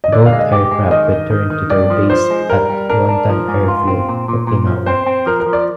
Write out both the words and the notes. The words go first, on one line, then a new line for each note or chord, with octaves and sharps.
Both aircraft returned to their base at Yontan Airfield, Okinawa.
D#5
D3 D5
F5
G#3
D#5
G4
G#3
D#3 D#5
D#3
D#3
D#3
G2 D5
F3
F3 C5
G#3
G3 A#4
G3
D4 A#4
D4
F3
G#2
F4
C4
A#2
A#2
A#2
F3
C4 C5
C4
F3 A#4
A#4
F3
D5